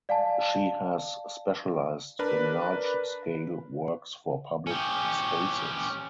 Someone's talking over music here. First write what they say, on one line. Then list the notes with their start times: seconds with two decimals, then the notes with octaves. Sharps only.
She has specialised in large scale works for public spaces.
0.09 D5 F5 G#5 A5
2.19 D4 A#4 B4 B5
4.67 C#4 G4